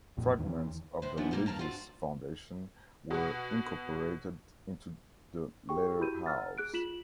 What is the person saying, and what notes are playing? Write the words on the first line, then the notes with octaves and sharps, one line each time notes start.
Fragments of the religious foundation were incorporated into the later house.
A#1 F2 A#2
E2 D#3
C3 G4 B4 C5
G#2 E3 F3 A#3 B3 D4
B2 G3 A#3 A4 A#4
G2 C#3 A#4 A5 A#5
C4 D4 F4 F#4
B2 F#4
G4 G#4 G5 C#6
E4 F#4 G4 B5 G6 D#7
F#5 A#5 E6 F6 A6
G#4 F#6 D7
F4 B6 E7 F#7